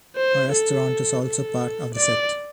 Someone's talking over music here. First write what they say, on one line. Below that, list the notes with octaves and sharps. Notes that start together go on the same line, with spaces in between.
A restaurant is also part of the set.
C5
A4
A4
D5